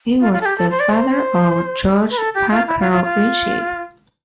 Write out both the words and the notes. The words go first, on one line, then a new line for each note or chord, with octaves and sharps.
He was the father of George Parker Winship.
F4
F4
A4
G4
A4
C5
D5
C5
B4
A4
G4
F4
E4
F4
F4
F4